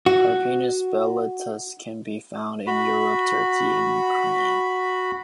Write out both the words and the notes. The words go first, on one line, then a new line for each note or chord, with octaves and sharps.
"Carpinus betulus" can be found in Europe, Turkey and Ukraine.
F#4
F#4 B5